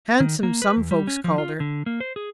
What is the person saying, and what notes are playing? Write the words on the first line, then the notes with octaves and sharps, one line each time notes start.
Handsome, some folks called her.
D#3
A#3
B4
E2
G3
C#4
F3
F4
D3
A#3
C5
G#4